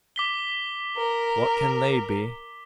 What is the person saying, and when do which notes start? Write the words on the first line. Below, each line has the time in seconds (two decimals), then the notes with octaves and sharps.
What kin they be?
0.16 D6 B6 G7
0.96 A#4